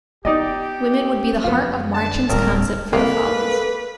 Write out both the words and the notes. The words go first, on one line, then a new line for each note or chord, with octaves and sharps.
Women would be the heart of Marchand's concept for the Folies.
B3 D#4 G4 D5 D#5
F#2 F3 B3 F4
D3 A5
D1 G#1 G3 A#4
C2 A#3 A4 B4